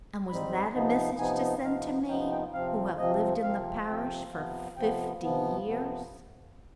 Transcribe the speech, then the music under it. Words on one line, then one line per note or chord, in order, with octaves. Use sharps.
And was that a message to send to me, who have lived in the parish for fifty years?
G#2 G3 C4 D#4 B5
C3 F3 B3 D#4
C3 F3 B3 D#4 G#5
C3 F3 B3 D#4 F5
C3 F3 B3 D#4 G5
G5
C3 F3 C4 F5
C3 F3 C4 D#5
C3 F3 C4 F5
C3 F3 C4 G5
C3 F3 B3
C3 F3 B3 G5
C3 F3 B3
C3 F3 B3